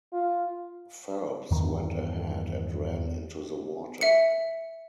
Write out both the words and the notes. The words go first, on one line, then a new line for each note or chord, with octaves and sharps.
Phelps went ahead and ran into the water.
F4
E2 G2 D#3
E5 C#7